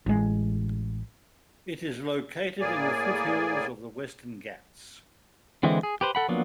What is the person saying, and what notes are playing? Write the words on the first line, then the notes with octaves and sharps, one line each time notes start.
It is located in the foothills of the Western Ghats.
A1 G#3
A2 A#3 G#4 D5 G#5
D3 E3 G#3 C4 E4
G#4
G4 B4 C5
A4 F#5 B5
F3 F#3 A#3 B3 D4